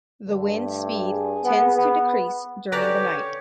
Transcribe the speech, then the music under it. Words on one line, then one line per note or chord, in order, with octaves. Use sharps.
The wind speed tends to decrease during the night.
G2 D3
A3
G#4
B3
B3
D3 C#4 G4 B4 C#5 D5 A#5